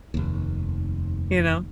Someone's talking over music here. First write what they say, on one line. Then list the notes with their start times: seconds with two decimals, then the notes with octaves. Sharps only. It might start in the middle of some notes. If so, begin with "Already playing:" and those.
You know?
0.14 F1 D#2